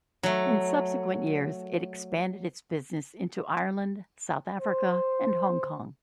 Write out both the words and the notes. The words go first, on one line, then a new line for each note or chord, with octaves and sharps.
In subsequent years, it expanded its business into Ireland, South Africa, and Hong Kong.
F#3 A3
C5